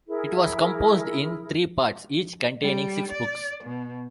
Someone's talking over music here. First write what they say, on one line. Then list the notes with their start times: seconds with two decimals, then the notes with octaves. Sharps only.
It was composed in three parts, each containing six books.
0.07 E4 G#4 A#4
2.62 G3
3.12 D5
3.64 B2